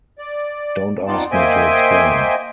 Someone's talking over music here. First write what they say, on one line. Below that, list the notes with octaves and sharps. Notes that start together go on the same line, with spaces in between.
Don't ask me to explain.
D5
B3 C4 D#4 F4 D5 A5
A#3 C5 D#5 E5 G5 G#5